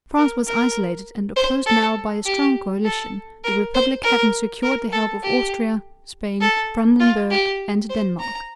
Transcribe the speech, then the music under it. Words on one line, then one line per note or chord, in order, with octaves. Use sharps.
France was isolated and opposed now by a strong coalition, the Republic having secured the help of Austria, Spain, Brandenburg and Denmark.
A#4
A#4
C5
A4
G4
A4
A#4
C5
A#4
A#4
A4
G4
A4
F4
G4
C5
A#5